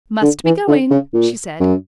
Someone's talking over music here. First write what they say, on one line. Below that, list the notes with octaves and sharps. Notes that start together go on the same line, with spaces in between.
"Must be going," she said.
D3
E3
D3
C#3
A#2
F#2